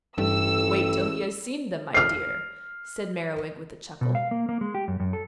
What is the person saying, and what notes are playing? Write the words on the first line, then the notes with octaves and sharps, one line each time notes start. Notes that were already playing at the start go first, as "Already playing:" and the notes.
"Wait till he has seen them, my dear," said Merriwig with a chuckle.
A1 G2 G4 A4 E6
F6 C7
B2
F5
A#3
A#3
G#3
G4
F#2
F#2
A4